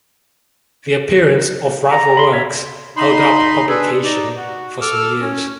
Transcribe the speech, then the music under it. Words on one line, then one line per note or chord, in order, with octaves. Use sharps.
The appearance of rival works held up publication for some years.
A#5
B5 C6
C#5 E5
D#4 B5 C6
D4 G#4 A4 B4
D#4 D5
F#4
A4 D6 E6 F6
C#4